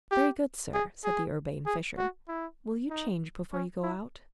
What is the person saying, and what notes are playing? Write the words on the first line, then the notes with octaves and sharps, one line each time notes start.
"Very good, sir," said the urbane Fisher, "will you change before you go out?"
G4
G#4
G#4
G#4
F#4
E4
D#4
C#4
E4